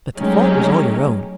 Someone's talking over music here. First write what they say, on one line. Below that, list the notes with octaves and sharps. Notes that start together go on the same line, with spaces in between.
But the fault was all your own.
F#3 G#3 A3 C#4 D#4 G4